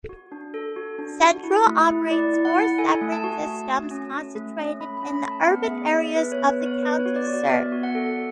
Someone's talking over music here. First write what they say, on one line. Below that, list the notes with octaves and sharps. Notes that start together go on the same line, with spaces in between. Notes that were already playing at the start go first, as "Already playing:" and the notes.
Centro operates four separate systems concentrated in the urban areas of the counties served.
F#4
D4
A4
F#4
D4
F#4
E4
A3
E4
E4 D5
E4
F#5
E4
A4 G#5
A3
A5
F#4
A3
F#4
C#4
A3
A3
C#4
A3 B5
B5
C#4
B5
A3
A5
B3 F#5
E5
G#4
D5
G#4
E5
B3 B4
C#5
B3
B4
B3
C#5
B3 B4
C#5
F#4
D5
F#4
D5
B3 E5
F#4
F#5
A4